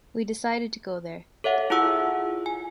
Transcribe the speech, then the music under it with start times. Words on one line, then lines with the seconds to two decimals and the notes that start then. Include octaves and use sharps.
We decided to go there.
1.44 A4 C#5 E5 F#5
1.70 E4 F4 G#4 F#5 E6
2.46 G#5